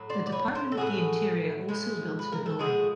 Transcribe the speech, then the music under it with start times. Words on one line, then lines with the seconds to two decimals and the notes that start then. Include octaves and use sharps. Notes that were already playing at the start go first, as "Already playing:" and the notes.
The Department of the Interior also built the building.
Already playing: A2 F#3
0.09 C5 D5
0.27 D5
0.32 B4 C#5
0.55 A#4 C5
0.72 A4
0.77 A2 F#3 A3 F#4 G#4
1.69 A2 F3 G#3
2.19 B4
2.32 A#4
2.46 A4
2.59 A2 F3 G#3 F#4 G#4